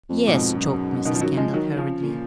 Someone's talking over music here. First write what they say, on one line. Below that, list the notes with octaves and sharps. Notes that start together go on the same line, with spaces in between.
"Yes," choked Mrs. Kendall, hurriedly.
F2
A#2
F2 G#2 B2
F#2
B2 D#3
F3
D#3 F#3
F3 G#3
D#3 F#3
C#3 F3
A#2